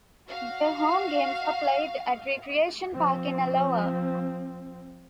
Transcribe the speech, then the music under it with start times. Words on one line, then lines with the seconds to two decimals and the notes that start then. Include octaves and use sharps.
Their home games are played at Recreation Park in Alloa.
0.28 F#4 F5
2.95 F3 C4